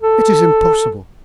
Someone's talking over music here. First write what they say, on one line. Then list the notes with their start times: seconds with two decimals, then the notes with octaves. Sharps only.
It is impossible.
0.02 A4